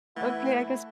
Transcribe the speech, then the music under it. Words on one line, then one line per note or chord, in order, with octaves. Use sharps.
Okay, I guess
E3 A3 E4 F#5